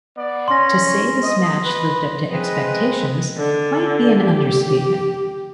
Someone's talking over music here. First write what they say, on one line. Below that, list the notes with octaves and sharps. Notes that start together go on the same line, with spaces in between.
To say this match lived up to expectations might be an understatement.
B3 D5
C#4 C6 A#6
D#5
B4
G#3 C4 B4 D#5
D3
G4